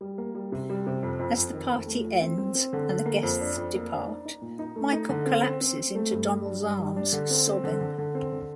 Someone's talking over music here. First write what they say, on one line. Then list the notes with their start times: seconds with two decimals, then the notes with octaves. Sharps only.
As the party ends and the guests depart, Michael collapses into Donald's arms, sobbing.
0.01 G3
0.18 A#3
0.35 G3
0.52 C3
0.69 G3
0.87 C3
1.03 F2
1.19 F2
1.37 F2
1.53 D#3
1.71 F2
1.87 A3
2.04 F3
2.22 C4
2.38 C4
2.55 C4
2.73 D3
2.89 D3
3.06 A#3
3.23 F2
3.41 D4
3.56 F2
3.75 A#3
3.92 D4
4.07 D#4
4.25 D#4
4.42 A#2
4.59 D#4
4.76 A3
4.92 D#4
5.09 D3
5.26 C4
5.43 C4
5.61 C4
5.78 C4
5.95 A3
6.11 G2
6.28 G3
6.45 D4
6.62 G2
6.80 G3
6.96 D4
7.13 D3
7.30 C4
7.47 C4
7.64 D3
7.80 D3
7.98 D3
8.15 C4
8.32 D3